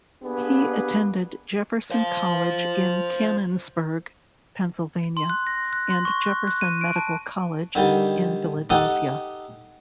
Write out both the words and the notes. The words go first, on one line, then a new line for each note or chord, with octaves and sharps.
He attended Jefferson College in Canonsburg, Pennsylvania, and Jefferson Medical College in Philadelphia.
A#3 B3 D4 G4 G#4 B4
C5 F5
C6
F#6
A#6
F#6
C6
C#6
F#6
F#6
D#7
D7
A5
D3 D#3 G3
D#4 G4 A4 F#5 D#6